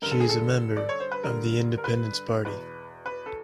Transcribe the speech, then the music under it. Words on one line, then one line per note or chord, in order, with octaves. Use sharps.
She is a member of the Independence Party.
G2 D3 A#4
A4
G#4
A4
D5
C#5
C5
B4
G2 D3 A#4
A#4
B4
E2 B2 B4
B4
A4